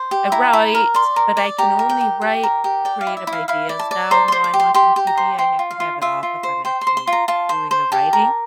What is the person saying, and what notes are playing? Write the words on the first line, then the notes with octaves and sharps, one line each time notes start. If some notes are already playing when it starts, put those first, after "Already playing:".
I write, but I can only write creative ideas down while I'm watching TV, I have to have it off if I'm actually doing the writing,
Already playing: C5
G4
E4 A#5
E4
A#4
D5 C6
A#4
D5
G4 A#5
A#4
G5
G4
G4
A#4
G4
D5 G5
F5
E4
E5
E4
F5
E4 F5
D5
A5
D5
C5 A#5
C5 C6
D6
G4
C6
G4 C6
G4
A#5
C5
C5 G5
F4
F5
F4
F4 E5
F4
C5
C5 G5
C6
C5
C6
F4
A#5
F4 A5
C5
C5
G4 A5
A#4